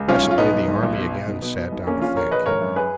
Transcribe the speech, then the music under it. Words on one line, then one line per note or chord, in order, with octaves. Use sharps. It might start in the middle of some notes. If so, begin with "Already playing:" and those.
Presently the army again sat down to think.
Already playing: C#2
B1 C#4 F4
B1
F4
B2 B3 D#4
B1
B1
B1
B2
B2
B1
B2
B2
B1
A#1 A#3 C#4
A#1 C#4 F4
A#1 A#4 C#5
A#1 B4 D#5
G#1 A#4 C#5
F#2
G#4 B4